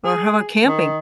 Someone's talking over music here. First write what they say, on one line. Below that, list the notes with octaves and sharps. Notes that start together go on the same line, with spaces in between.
Or how 'bout camping?
G#4
D#3